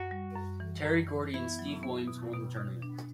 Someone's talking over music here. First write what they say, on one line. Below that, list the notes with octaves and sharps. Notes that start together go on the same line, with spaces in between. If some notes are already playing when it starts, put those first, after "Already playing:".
Terry Gordy and Steve Williams won the tournament.
Already playing: F#2 F#4
G3
F#2
E3
F#2
E3
B3 E4
F#3
B3
B2
B2
B2
D4